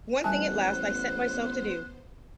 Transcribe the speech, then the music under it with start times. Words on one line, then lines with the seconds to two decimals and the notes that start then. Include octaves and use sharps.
One thing at last I set myself to do.
0.24 A1 G3 B3 C5 G#5 A5 F#6